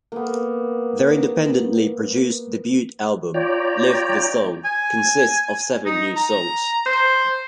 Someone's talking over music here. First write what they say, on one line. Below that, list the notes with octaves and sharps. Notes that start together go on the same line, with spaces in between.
Their independently produced debut album, "Live the Song", consists of seven new songs.
A#3 B3
F4 C#5 D5 G5 A#5
G#5
D#4
A#5
C5